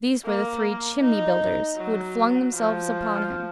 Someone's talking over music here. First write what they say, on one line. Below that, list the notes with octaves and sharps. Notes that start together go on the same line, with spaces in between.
These were the three "chimney-builders," who had flung themselves upon him.
A#3
D#4
F#3
F3